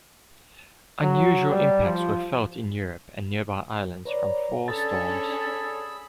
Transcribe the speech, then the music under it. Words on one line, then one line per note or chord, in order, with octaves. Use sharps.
Unusual impacts were felt in Europe and nearby islands from four storms.
F#3
G3
F3
B4 C#5 D5 A#5
C#4 D4 G#4 A4 C#5 B5 E6 A6